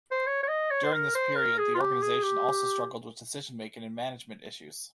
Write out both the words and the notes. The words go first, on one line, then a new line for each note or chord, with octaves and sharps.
During this period, the organization also struggled with decision-making and management issues.
C5
C#5
C#5
D#5
C#5
C5
A#4
C5
A#4
G#4
F4
G4
G#4
G4